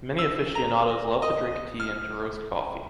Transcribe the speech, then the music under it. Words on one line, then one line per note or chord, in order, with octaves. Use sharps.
Many aficionados love to drink tea and to roast coffee.
E6
A#5
D#5
F6